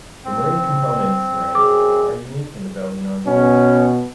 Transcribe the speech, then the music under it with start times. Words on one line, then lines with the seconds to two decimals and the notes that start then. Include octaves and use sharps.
The Marine Component's ranks are unique in the Belgian Armed Forces.
0.25 C4
1.55 F#2 G#4 D6
3.27 B2 C#4